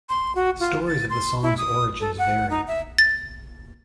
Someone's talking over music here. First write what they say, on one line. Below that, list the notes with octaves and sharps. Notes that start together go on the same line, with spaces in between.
Stories of the song's origins vary.
C6
F#4
F4
A6
C6
E4
D#6
A4
F#5
D#4
E5
A6